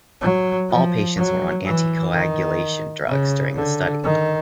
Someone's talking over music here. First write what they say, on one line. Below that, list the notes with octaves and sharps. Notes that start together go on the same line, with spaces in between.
All patients were on anticoagulation drugs during the study.
F#3
F3
F#3
E3
D#3
C#3
D3
D#3